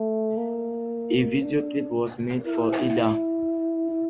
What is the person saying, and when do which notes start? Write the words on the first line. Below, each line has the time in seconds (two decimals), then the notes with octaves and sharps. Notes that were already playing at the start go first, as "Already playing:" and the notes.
A video clip was made for "Ida".
Already playing: A3
0.37 A#3
1.42 D4
2.46 E4